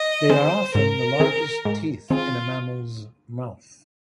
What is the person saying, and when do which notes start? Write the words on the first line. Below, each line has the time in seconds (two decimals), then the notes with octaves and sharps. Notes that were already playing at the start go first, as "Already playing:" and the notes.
They are often the largest teeth in a mammal's mouth.
Already playing: D#5
0.29 D#3 C4 G#4 C5
0.74 G#2 A#4
1.20 D#3 C4 G#4
1.65 G#2
2.10 D#3 C4 F4 G#4